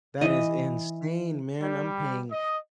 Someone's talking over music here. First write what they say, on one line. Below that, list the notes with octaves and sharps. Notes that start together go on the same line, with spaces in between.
That is insane, man, I'm paying
E3 D#5
G3
D#5